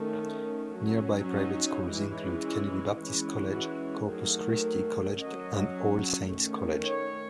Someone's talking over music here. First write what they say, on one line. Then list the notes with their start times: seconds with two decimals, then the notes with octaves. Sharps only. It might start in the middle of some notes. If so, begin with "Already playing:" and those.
Nearby private schools include Kennedy Baptist College, Corpus Christi College and All Saints' College.
Already playing: D#3 A3 C#4
0.76 F#3 C#4
1.32 D#4
1.87 E3 G#3 C#4
2.43 E4
2.98 E3 G#3 C#4
3.53 F#4
4.08 D#3 F#3 A3 G#4
5.19 F#3 C#4 D#5
6.30 D#3 A3 C#4
6.85 C#5